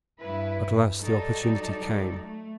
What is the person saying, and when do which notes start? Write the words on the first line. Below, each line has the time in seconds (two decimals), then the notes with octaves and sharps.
At last the opportunity came.
0.20 G2 E4 B4
1.01 F#3 G3 D#4 A4 D5
2.22 A3